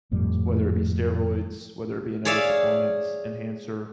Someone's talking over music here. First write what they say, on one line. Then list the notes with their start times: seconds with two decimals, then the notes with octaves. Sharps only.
s whether it be steroids, whether it be another performance enhancer
0.11 G#1 F2 A2 G3
2.25 G#4 C#5 D5 E5 F5